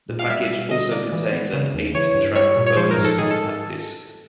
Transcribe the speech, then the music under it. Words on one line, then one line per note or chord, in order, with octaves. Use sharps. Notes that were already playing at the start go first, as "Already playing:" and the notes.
The package also contains an eight track bonus compact disc.
A#2
F5
G3 E5
B2
D3 D#5
A#3 D5
E3
B3
C#3
D#2
E3 C#5
G2
G3 C#5
A#2
C#5
F3 C5
A#4
G#2
A4
D#3 G#4
A4